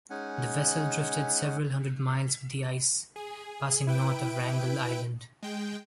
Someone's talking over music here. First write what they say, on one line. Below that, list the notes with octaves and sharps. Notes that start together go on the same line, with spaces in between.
The vessel drifted several hundred miles with the ice, passing north of Wrangel Island.
G#3 C#4 D#4 F#5 G#5
G#4
E4 B4 G5 D7
G#3 G5